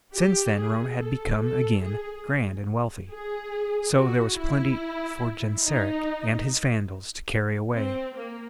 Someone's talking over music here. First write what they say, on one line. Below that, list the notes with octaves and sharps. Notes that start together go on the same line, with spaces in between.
But since then Rome had become again grand and wealthy, so there was plenty for Genseric and his Vandals to carry away.
G4
G#4
A4
A4
G#4
G#4
F#4
E4
D#4
C4
A#3